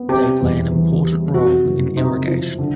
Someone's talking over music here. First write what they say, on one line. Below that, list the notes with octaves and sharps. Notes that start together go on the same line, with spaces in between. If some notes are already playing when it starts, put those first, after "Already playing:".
They play important role in irrigation.
Already playing: B3
C3 G4
E2
E3
G3
F2 F#4
F#1
C3 D#4
F3
D3